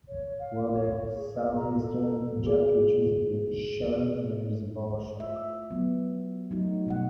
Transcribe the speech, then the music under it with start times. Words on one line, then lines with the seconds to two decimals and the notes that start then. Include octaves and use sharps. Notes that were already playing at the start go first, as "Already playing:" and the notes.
Where the southeastern jet reaches the shell there is a bow-shock.
0.08 C#5
0.39 F5
0.72 C#5
1.14 G#4
1.55 A#5
1.78 A4
2.44 F#4 G#4
5.20 A3 F4 E5
5.71 F#3 B3
6.51 F#3 A3 D#4 F#4
6.86 B2 G3 F#5